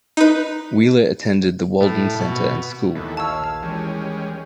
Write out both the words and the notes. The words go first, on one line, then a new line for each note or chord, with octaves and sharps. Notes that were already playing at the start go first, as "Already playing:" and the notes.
Wheeler attended the Walden Center and School.
D#4 B4
A2
B2
D#2 E3 A3 B3
A#1 F5 A5 C#6 E6 G#6
E3 G3 G#3 C#4